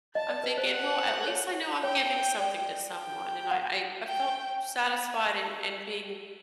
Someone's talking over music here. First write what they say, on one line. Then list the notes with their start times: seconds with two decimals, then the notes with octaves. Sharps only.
I'm thinking, "Well, at least I know I'm giving something to someone," and I I I felt satisfied in in being
0.15 D#5 A5
0.29 D5
0.44 B4
0.58 C5
0.71 F#5
1.28 C#5
1.83 C#5 G5
2.39 D5
2.95 G5
3.51 F#5
4.07 G5